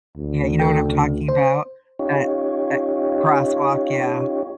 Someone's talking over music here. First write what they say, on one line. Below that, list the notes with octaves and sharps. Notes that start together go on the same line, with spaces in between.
Yeah, you know what I'm talking about? That that crosswalk, yeah.
D2
A4 G5
C#3
C5
C#4 D#4 F4 G4 C#5